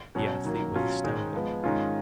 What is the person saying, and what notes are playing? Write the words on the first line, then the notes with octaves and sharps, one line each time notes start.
The athlete was astounded.
B2 F#3 C#4 F#4
D#3 F#3 A#3
B2 F#3 C#4 F4
G#2 D#3 G#3 C#4
F3 G#3 B3
G#2 D#3 G#3 C#4 F4